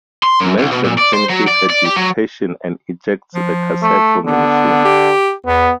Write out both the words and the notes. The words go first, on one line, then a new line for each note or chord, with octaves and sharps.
Manson finishes her dictation and ejects the cassette from the machine.
C6
F#2
C2
B2
A#2
D5
C5
F#3
D5
D5
G4
F#3
F3
A3
D3 B3
G4
E2 B3